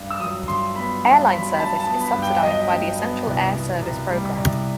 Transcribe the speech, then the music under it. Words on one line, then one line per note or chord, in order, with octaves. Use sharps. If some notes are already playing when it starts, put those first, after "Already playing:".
Airline service is subsidized by the Essential Air Service program.
Already playing: G2
E6
F#3 D#6
G2 C6
B3 B5
G2
F#3 B5
B5
G2 A5
A5
B3
B5
G2
G5
F#3 D#5
G2
B3
C2
B2
C2
G3
C2